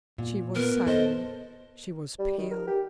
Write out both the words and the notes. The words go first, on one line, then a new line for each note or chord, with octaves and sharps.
She was silent; she was pale.
A#2
B3 A#4
A4 C5 D#5
G3
D#3
A#4
G4